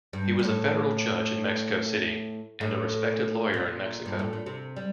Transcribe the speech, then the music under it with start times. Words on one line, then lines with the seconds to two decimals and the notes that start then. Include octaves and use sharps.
He was a federal judge in Mexico City, and a respected lawyer in Mexico.
0.13 G2
0.39 G2
0.44 A2
2.61 A2
3.54 A#2
4.06 G2
4.19 A2
4.33 A#2
4.46 C3
4.76 G3